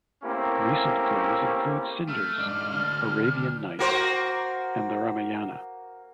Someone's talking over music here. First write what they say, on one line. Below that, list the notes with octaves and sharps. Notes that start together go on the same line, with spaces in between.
Recent plays include "Cinders", "Arabian Nights", and "The Ramayana".
A3 A#3 C4 C#4 E4 G4
A3 F6
G#2 D4
D2 D3
A#3 F#4 C5